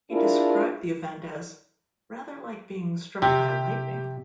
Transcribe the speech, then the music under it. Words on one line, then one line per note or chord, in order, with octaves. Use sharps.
He described the event as "rather like being struck by lightning".
D4 E4 F4 G#4 A#4
C3 G4